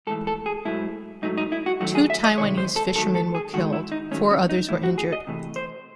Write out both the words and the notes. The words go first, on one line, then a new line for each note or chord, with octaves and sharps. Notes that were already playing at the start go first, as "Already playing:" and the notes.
Two Taiwanese fishermen were killed; four others were injured.
G#2 E3 A3 A4
A4
G#4
G#2 F#3 A3 E4
G#2 F#3 A3 D#4
D#4
E4
F#4
F#2 D#3 F#3 A3 F#4
G#4
E5
D#5
C3 D#3 G#3 C#5
C5
A4
G#2 D#3 F#3 A3 A4
A4
G#4
G#2 D#3 G#3 F#4
E4
D#4
G#2 D#3 F#3 A3 C#4
C#4
D#4
A2 E3 A3 E4
F#4
G#4
D#5
C3 E3 A3
C5